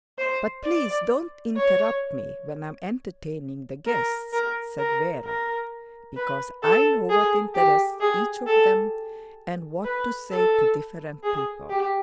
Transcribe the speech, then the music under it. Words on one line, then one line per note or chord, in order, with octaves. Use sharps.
"But please don't interrupt me when I am entertaining the guests," said Vera, "because I know what interests each of them and what to say to different people."
C5
D5
C#5
A#4
A#4
A#4
A#4
B4
A4
G#4
G4
G#4
A4
B4
A4
G#4
G4